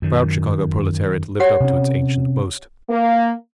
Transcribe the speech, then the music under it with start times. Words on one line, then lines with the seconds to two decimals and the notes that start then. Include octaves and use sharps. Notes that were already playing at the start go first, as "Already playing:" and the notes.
The proud Chicago proletariat lived up to its ancient boast.
0.02 F#2 D#3
1.40 G4 C#5 F#5
1.60 C3 C#4
2.90 A#3